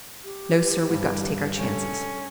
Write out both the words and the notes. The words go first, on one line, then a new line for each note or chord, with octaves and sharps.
No, sir--we've got to take our chances.
G4
D2 G2
C#4 A4